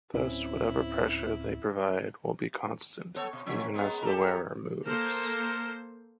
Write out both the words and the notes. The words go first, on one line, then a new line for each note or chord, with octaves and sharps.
Thus, whatever pressure they provide will be constant even as the wearer moves.
D1 C4 C#4 E4
B3 A4 C#5
B2
E3 F3 C#4
G#3 A#3 B3
G4 A4 A#4
A#3 A4 A#4 C5